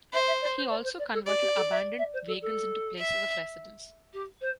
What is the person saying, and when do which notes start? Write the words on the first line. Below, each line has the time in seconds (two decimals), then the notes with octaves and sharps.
He also converted abandoned wagons into places of residence.
0.13 C5 E5
0.26 E5
0.41 D5
0.56 C5
0.70 D5
0.84 C5
0.98 D5
1.13 A4
1.26 G4 D5
1.41 G4
1.55 A4
1.70 E5
1.98 E5
2.13 C5
2.27 A4
2.41 A4
2.98 E5
4.13 G4
4.41 C5